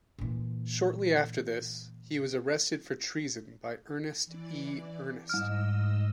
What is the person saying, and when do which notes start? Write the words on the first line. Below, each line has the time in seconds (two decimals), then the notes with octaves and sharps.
Shortly after this, he was arrested for treason by Ernest E. Earnest.
0.19 A#2 E3
4.25 E3 D5
5.29 G#2 G3 D#5 E6 F6